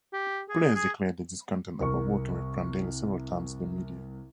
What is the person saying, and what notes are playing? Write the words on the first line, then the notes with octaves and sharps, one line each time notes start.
Players declared their discontent about working with Prandelli several times in the media.
G4
G#4
G#4
C2 A#4 C#6